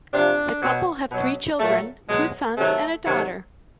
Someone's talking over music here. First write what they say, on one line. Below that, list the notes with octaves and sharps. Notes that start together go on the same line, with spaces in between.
The couple have three children, two sons and a daughter.
C3 F3 D4
B2 F#3
B2 F#3
A#2 F#3 A3
B2 F#3 G#3
C3 D#3 F#3 A3
C3 D#3 F#3